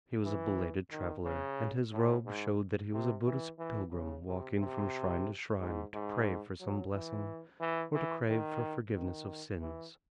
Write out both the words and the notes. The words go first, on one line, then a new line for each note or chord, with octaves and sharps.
He was a belated traveler, and his robe showed that he was a Buddhist pilgrim walking from shrine to shrine to pray for some blessing or to crave for forgiveness of sins.
E3
D#3
C#3
A2
G#2
C3
E3
E3
C#3
C3
C3
G#2
G#2
F#3
E3
E3
E3
D#3
D#3
E3